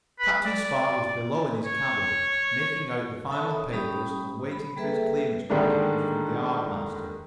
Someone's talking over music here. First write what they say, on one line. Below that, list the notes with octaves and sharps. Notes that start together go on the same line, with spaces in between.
Captain Spark was below in his cabin, making out the final papers and waiting for his clearance documents from the harbor master.
B4
D5
C#5
A4 C#5 E5 A5 B5
D#6
G3 C#4 G4 B5 D#6
B5
G3 A#3 G#4 A4 B4 E5
D3 D#3 G3 G#3 A#3 D4